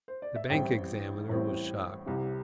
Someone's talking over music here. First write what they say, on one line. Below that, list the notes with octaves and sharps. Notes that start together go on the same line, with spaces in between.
The bank examiner was shocked.
C5
D5
E5
A1 A2 G3 C4 G5
A1 A2 G3 C4
C2 C3 G3